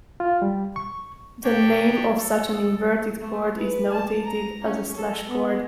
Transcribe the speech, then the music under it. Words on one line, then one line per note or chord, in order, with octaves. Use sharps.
The name of such an inverted chord is notated as a slash chord.
F4
G3
C#6
D4 G4 C#5 G5
A4
A3
B4
A5
A#5
C#4
A4
B3